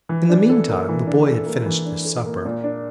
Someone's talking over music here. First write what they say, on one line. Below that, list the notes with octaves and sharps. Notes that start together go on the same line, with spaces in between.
In the meantime the boy had finished his supper.
E3
D4
A4
A#3
E3
D4
A4
A#3
E3
D4
A4
A#3
A#2
D4